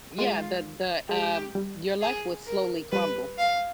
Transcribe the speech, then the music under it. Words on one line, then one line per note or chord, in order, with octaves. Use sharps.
yeah, the the, um, your life will slowly crumble.
G#3 F4
G#3 G4
G3
G#4
A#4
G3 B4
F5